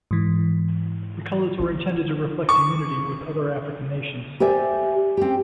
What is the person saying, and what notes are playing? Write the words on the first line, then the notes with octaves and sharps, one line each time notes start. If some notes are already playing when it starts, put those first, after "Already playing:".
The colors were intended to reflect a unity with other African nations.
G#2 E3
C#6
G4 C5 D5 E5 G#5
C4 G4